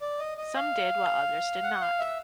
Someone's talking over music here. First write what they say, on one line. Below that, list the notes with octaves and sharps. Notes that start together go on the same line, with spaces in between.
Some did, while others did not.
D5
D#5
D#5
F5
F#5
F5
E5